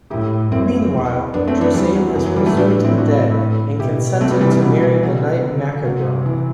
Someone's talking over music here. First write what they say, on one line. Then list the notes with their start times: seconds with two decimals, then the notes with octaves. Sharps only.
Meanwhile, Druzane has presumed him dead and consented to marry the knight Macabron.
0.10 A2 E4 G4
0.52 F#2 C4 E4
0.93 E2
1.33 F#2 B3 D4
1.47 A3 C4
1.61 B3 D4
1.74 E2 E3 G3
1.95 F#3
2.16 F#2 E3
2.26 F#3
2.36 E3 G3
2.46 F#3 A3
2.57 A2 B3 D4
2.70 B3 D4
2.84 C4 E4
2.98 D4 F#4
3.80 B2 E4 G4
4.21 C3 A3 C4
4.31 G3 B3
4.41 E3 G3
4.51 E3 G3
4.62 B2 F#3
4.82 E3
5.03 F#3
5.44 D3
5.84 C3 F#3
6.26 E3